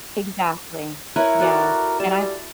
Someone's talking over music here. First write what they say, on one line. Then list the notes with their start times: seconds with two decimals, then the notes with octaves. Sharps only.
Exactly, yeah. And I've
1.16 E4 A#4 B4 C#5
1.40 F#4 A4 D5
2.00 G3 A5